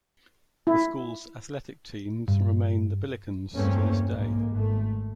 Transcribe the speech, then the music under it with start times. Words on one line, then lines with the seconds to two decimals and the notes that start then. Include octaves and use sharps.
The school's athletic teams remain the "Billikens" to this day.
0.67 E4
2.28 G2
3.53 E2 G2 A3 A#3 C4 C#4
4.10 B1 G#2 A#3
4.51 G#1 A3